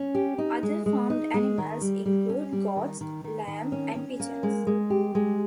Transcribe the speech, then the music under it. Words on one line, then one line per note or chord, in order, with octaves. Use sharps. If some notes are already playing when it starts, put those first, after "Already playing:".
Other farmed animals include goats, lamb and pigeons.
Already playing: C#4
G4
D#4
G#3
G#3
D#4
G#3
D#3
G3
G3
C#4
G3
D#3
D#3
D#3
D#3
C#4
C#4
A#3
G#3
G#3
G4
G#3